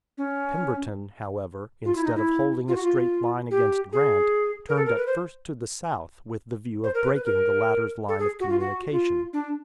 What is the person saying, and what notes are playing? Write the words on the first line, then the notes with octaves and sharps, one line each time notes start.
Pemberton, however, instead of holding a straight line against Grant, turned at first to the south, with the view of breaking the latter's line of communication.
C#4
F4
E4
D#4
E4
F4
F#4
F4
G4
G#4
A#4
A4
A#4
B4
C5
C5
A#4
B4
B4
A#4
A4
G#4
F#4
F4
F#4
F4
D4